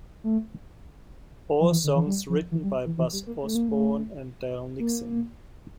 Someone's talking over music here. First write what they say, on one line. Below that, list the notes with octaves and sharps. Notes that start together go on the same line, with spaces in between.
All songs written by Buzz Osborne and Dale Nixon.
A3
F3
E3
D3
E3
G3
F3
E3
G3
E3
E3
G3
A#3
A3
A#3
A3
A#3